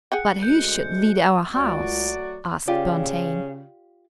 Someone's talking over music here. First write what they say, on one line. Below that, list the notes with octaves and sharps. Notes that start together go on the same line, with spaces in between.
"But who should lead our House?" asked Bonteen.
G#4 F#5 G5 F#6 C#7
D2 G#3 F#4 G6
C#2 F#3 A3 F#4 D5
C#3 F4 G4 D5